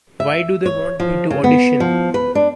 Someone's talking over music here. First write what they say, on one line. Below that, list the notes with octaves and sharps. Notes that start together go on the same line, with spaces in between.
Why do they want me to audition?
E5
C#5
F3
C#3
B3
F3
B4
D4